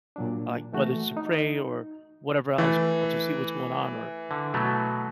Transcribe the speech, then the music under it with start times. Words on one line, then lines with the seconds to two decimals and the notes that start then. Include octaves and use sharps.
like, whether it's to pray or whatever else or to see what's going on or
0.16 A#2 F#3 D4
0.72 E3 A3 F#4
1.17 D#4
2.58 E3 A3
4.31 D3
4.54 B2 F#3 A3